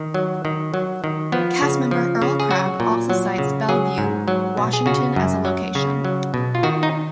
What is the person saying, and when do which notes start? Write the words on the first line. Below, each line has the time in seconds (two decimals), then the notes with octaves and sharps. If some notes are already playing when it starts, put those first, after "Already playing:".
Castmember Earl Crabb also cites Bellevue, Washington as a location.
Already playing: D#3
0.14 F#3
0.45 D#3
0.74 F#3
1.04 D#3
1.32 F3 B3
1.62 C#3
1.91 F3
2.22 C#3
2.40 G#4
2.51 F#3 F#4
2.80 A#2
3.10 F#3
3.38 C#3
3.69 F#3 G#4
3.98 G#2
4.28 F#3
4.57 B2
4.73 G#4
4.86 C#3 F#4
5.16 F#2
5.45 F#3
5.75 C#3
6.05 F#3
6.34 B2
6.55 F4
6.63 D#3 F#4
6.83 D#4